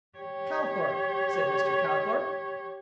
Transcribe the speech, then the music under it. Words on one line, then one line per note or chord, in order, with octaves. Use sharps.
"Calthorp," said Mr. Calthorp.
G4 C#5